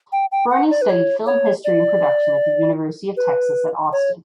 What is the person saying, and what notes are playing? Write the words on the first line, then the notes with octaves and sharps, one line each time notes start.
Berney studied film history and production at the University of Texas at Austin.
G5
G5
F#5
D5
B4
C#5
C#5
D5
B4
C#5